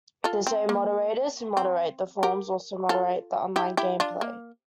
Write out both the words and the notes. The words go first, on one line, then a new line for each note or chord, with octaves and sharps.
The same moderators who moderate the forums also moderate the online gameplay.
F4 A4
C4
A#3
C4
G4 A#4
F4 A4
E4 G4
E4 G4
D4 F4
A#3